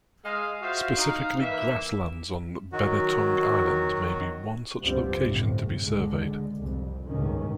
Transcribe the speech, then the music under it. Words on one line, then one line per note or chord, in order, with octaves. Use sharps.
Specifically grasslands on Belitung Island may be one such location to be surveyed.
G#3 D#5 F5
F4 F#4 C5 E5 F5
D#4 F5
E3 A#3 E5
D#3 F#3 F#4
C#2 G2 F3 G3 B3 C4
G1 A2 C3
C#2 D3 G#3
C2 F2
G1 C#2 A2 D#3 C#4